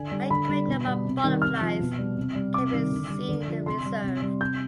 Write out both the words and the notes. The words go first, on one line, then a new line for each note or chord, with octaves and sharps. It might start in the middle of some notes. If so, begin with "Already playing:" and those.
A great number of butterflies can be seen in the reserve.
Already playing: D3 G#5
G3
D3 B5
G3
B2
G3
C3
D#3 G3
C3 F6
F3
B2
G3
C3
G3
C3 D6
D#3 G3
D3
G3
D3
F3
C3 C6
G3
C3
G3
C3 G6